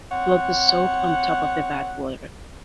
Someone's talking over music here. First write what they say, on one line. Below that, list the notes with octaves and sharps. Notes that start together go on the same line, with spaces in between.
Float the soap on top of the bath water.
C4 C#5 F#5